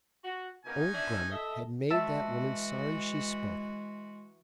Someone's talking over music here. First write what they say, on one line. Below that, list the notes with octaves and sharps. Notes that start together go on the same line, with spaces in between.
Old Grammont had made that woman sorry she spoke.
F#4
B2 A#3 C#4 D#4 G#5
B2 D4 E5
A4 D#5 E5
E3 G#3 F#4 E5 A5 E6